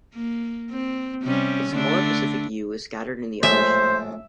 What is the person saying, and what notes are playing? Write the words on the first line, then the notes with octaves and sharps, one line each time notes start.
The smaller Pacific yew is scattered in the understorey.
A#3
C4
C3 G3 C#4
D3 A3 D4
A#1 A2 G#3 C5 E5